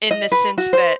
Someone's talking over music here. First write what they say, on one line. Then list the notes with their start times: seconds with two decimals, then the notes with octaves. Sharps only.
in the sense that
0.11 D#5
0.32 B4
0.58 F#4
0.73 C5